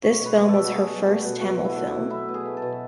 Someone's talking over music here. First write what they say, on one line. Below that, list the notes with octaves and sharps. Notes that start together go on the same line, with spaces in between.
This film was her first Tamil film.
F#3 C#5
B2
B4
A3
A4
B2
F#4
F#3 G#4
B2
A3 F#4
B2
F#3 F#4
B2
E4
A3
E4
B2
F#3 E4
B2
G#4
A3
A4
B2